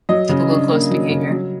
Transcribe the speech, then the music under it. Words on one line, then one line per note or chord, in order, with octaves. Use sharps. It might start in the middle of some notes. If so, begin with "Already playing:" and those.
Typical close behavior.
F#3 D#5
C#3
D4
A#3
F#3
C#3
F#3